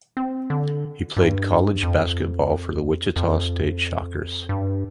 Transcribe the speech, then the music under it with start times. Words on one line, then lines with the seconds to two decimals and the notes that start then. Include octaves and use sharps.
He played college basketball for the Wichita State Shockers.
0.17 C4
0.50 D3
1.17 G2
1.83 F2
3.16 F2
4.49 G2